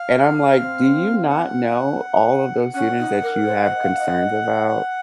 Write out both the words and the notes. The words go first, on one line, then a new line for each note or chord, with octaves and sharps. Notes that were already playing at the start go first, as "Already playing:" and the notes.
and I'm like, "Do you not know all of those students that you have concerns about,
Already playing: F5
C4
F#5
C#4 F#5
D#4
A#4
C5
D#5
F5
D#5